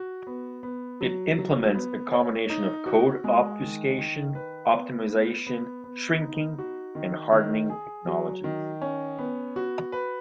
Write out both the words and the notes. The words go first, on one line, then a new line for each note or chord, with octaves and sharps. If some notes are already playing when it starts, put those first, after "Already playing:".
It implements a combination of code obfuscation, optimization, shrinking, and hardening technologies.
Already playing: F#4
B3
B3
F#3
F#3
B3
C#5
D#4
F#4
G#3
D#3
D#3
B4
B3
B3
B3
B3
D#4
F#4
D#3
D#3
G#4
F#3
D#3
C#4
B3
F#4
B4